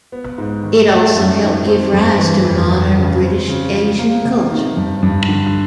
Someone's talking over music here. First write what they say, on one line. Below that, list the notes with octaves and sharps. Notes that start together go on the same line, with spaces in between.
It also helped give rise to modern British Asian culture.
B3
G#2
D#3
A3
F#2
D#3
C4
G2
E3
F2
F2
C#3
C4
C#3
F3
A#3
C3
D#3
G2
G2
D3